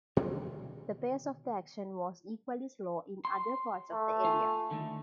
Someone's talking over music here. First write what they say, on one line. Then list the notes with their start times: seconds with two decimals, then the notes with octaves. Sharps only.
The pace of the action was equally slow in other parts of the area.
0.17 B2 D3 D#3
3.25 C6
3.93 A3
4.25 F4 G#5
4.71 D3 D#3 A3